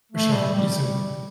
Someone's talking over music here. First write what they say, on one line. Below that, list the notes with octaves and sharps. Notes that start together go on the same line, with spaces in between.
For sure, you too.
A3
G3
G3